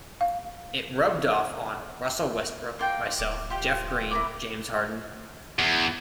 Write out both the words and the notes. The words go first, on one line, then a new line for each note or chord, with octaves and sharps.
It rubbed off on Russell Westbrook, myself, Jeff Green, James Harden.
F5
A#3 F4 G5
D1 D6
F4 G4
E4 A#4 D6
E2